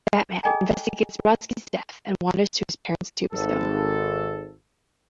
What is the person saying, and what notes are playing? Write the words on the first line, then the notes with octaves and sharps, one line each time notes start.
Batman investigates Bronski's death and wanders to his parents' tombstone.
G#4 A4 D#5 G5 G#5 A#5
G#1 A4